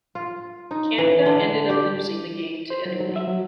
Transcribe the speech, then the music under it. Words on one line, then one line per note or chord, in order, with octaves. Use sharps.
Canada ended up losing the game to Italy.
F4
D#4
E3
D3
G4
C5
F#3
F#3
E5
F#3